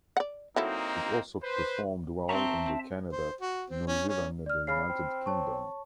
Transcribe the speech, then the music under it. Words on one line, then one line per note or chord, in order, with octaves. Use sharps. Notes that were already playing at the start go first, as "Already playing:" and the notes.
It also performed well in the Canada, New Zealand and the United Kingdom.
D5 F#5
F#3 A#3 C4 D#4 E4 A4
B4 C5
C4 E5 A5 A#5 C#6
C5
F#4
C4
C#4
C#4
D5 F6
C#3 B5 F6 C7
C4
C#5 A5 C#6